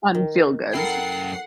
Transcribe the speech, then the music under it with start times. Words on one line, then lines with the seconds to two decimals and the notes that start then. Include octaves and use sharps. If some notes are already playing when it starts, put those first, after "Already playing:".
on feel goods.
0.14 D#3
0.74 F#2 E4 A4 A#4 F#5 G5 C7